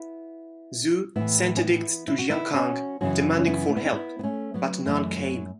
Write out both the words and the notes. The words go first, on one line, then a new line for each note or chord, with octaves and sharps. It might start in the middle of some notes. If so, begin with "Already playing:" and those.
Zu sent edicts to Jiankang demanding for help but none came.
Already playing: B3 E4
A2 E3 B3 E4
C#4
B3 E4
E4
F#4
B3 E4
C#4 F#4
F#2 C#3 E3 C#4 F#4
C#4
B3 E4
A3
B3
C#4
B3 E4
B3
A3 C#4
F#3 B3
F#2 E3 A3
F#3